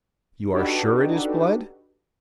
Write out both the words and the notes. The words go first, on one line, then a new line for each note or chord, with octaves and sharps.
"You are sure it is blood?"
D4 D#4 F#4 G4 A4 B4